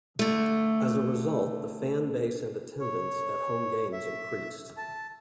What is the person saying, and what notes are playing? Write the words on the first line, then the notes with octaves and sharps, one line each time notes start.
As a result, the fan base and attendance at home games increased.
D3 A3
C#5
E5
A5